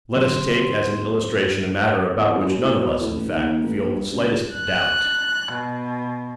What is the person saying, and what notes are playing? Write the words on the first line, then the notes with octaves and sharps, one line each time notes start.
Let us take as an illustration a matter about which none of us, in fact, feel the slightest doubt.
D3 F#3 B3 C5
E2
F#2
A2
B2
A2
A1
D#2
D#2
A1
A#1
G2
C#2
F#6
B2